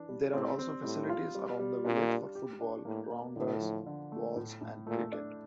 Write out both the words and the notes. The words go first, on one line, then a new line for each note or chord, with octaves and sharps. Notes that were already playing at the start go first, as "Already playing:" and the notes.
There are also facilities around the village for football, rounders, bowls and cricket.
Already playing: E3 D4
G3
A2 C4
C4
A2 G3
F4
G3
G3
A#2 D4
D4
G4
D4
A2 A#3
A#3
A2 D3
F3
D3
A3
A2
A2
A#2 A3
D4